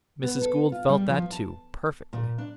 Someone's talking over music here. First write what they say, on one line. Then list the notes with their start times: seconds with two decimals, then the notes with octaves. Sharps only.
Mrs. Gould felt that, too, perfectly.
0.23 B3
0.42 A4
0.72 F4
0.89 G3
1.10 F3
1.32 A5
2.13 A#2
2.38 D4